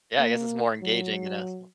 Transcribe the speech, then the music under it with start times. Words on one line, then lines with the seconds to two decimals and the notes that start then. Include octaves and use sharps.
Yeah, I guess it's more engaging, you know, so
0.19 A#3
0.82 F#3